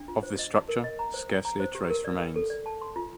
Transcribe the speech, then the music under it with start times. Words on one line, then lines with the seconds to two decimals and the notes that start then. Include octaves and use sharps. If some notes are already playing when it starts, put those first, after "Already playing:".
Of this structure, scarcely a trace remains.
Already playing: D4
0.08 F4
0.23 C5
0.39 D#5
0.54 D#4
0.69 A#4
0.84 D#5
0.99 A#5
1.14 C5
1.30 G5
1.45 A#5
1.60 C5
1.75 G4
1.90 A#4
2.05 D5
2.20 G5
2.36 A4
2.50 D5
2.66 A5
2.82 C6
2.96 F4